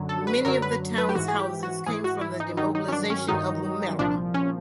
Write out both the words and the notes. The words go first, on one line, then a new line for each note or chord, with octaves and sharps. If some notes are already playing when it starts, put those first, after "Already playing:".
Many of the town's houses came from the demobilisation of Woomera.
Already playing: F#2 D3 F#3
A4
B4
F#2 D3 F#3 A#4
B4
B4
G4
G#2 E3 F#4
G#4
G4
F#4
G#2 E3 G#4
F#4
E4
D#4
G2 D#3 F#3 D#4
D#4
C#4
D4
C#4
G2 D#3 F#3 D#4
C2 A#2 F3 D4
C#4